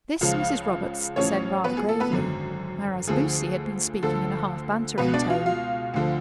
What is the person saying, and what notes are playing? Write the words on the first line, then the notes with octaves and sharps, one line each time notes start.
This Mrs. Robarts said rather gravely, whereas Lucy had been speaking in a half-bantering tone.
C#2 C#3 F3 F4 F5
A1 A2 F3 C#4 C#5
B3 B4
G#4
A4
B3 B4
G#1 F#2 D3
D2 D3 F3 G#4
D2 D3 F3 A4
C#2 B2 B3 B4
D4 D5
F4 F5
F4 F5
D2 D3 F3